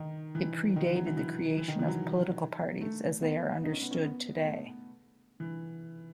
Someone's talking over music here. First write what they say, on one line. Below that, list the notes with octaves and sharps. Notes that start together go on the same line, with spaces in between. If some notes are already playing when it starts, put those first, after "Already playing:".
It predated the creation of political parties as they are understood today.
Already playing: D#3
E3
D#3
E3
F#3
E3
E3
E3
D#3
E3
F#3
A3
B3
D#4
C#4
B3
C#4
B3
B3
A3
E3